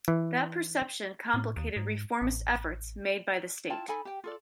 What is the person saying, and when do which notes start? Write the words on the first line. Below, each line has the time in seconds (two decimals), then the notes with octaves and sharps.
That perception complicated reformist efforts made by the state.
0.08 E3
1.34 A2
1.57 D#2
1.76 G#2
2.22 A1
3.70 E4 F4 G5 A5
3.88 D#4 A4 G#5 B5
4.05 G4 G5
4.24 F4 A4 D5